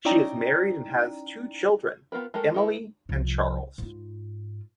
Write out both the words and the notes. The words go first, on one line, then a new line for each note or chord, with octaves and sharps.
She is married and has two children, Emily and Charles.
C#4 D#4 E4 D5 G5 A#5
B3 F4 A#4 B4
G#3 A3 A4 A#4
D#4 E4 B4
C2 F3
G#2 F4